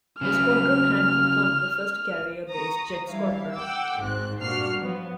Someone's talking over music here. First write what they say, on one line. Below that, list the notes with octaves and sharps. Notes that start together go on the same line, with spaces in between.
The squadron had become the first carrier-based jet squadron.
C#3 F#3 B4 F6
A#5 C#6 D#6 A#6
E3 G3 D4 E4 F5
F#5 G5 D6 E6
G#1 G#2 C4 F#6
G2 A#2 D4 F#4 F6 C7
F3 F#3 B3